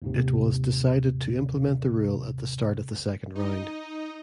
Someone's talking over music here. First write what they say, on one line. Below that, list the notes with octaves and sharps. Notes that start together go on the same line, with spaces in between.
It was decided to implement the rule at the start of the second round.
D#2 G#2 C3
D#4 D#5